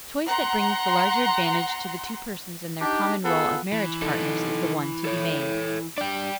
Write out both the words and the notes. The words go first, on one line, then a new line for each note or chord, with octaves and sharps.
The choice that brings the larger advantage to the two persons in their common role of marriage partners is the one to be made.
F#5 A#5 C6
D4 D#4 G4
B3 F4 G#4 A4
E3
D#4 A4
A4 C#5
D4 G4 D5 G5